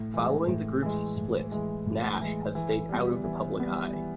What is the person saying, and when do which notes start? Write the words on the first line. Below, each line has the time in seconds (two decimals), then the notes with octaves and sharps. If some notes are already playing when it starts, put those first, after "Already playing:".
Following the group's split, Nash has stayed out of the public eye.
Already playing: A2
0.14 E3 G#3
0.47 A2
0.83 E3 G#3
1.17 A2
1.52 E3 G#3
1.86 A2
2.20 E3 G#3
2.55 E3
2.89 G3 B3
3.24 E3
3.58 G3 B3
3.93 E3